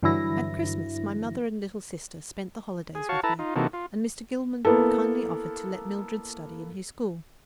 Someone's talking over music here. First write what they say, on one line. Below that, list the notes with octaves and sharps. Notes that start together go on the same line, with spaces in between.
At Christmas, my mother and little sister spent the holidays with me, and Mr. Gilman kindly offered to let Mildred study in his school.
G2 D3 E3 F#3 E4 A#6
G#4
F#4 C#5 F5 A5 C#6
E4 A4 B4 A5 A#5
D#4 F4
C3 E3 A#3 D#4 F#4 A4
F4
A#3 B3 E4 A4